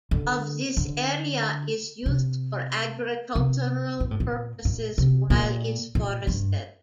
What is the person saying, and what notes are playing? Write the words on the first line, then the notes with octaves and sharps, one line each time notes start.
Of this area, is used for agricultural purposes, while is forested.
D3
D3
C3
C3
A#2
A2
A#2
A#2
C3
A#2
A#2
G2